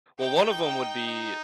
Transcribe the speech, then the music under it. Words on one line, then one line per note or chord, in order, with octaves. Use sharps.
Well, one of 'em would be,
D#4 G5
D#4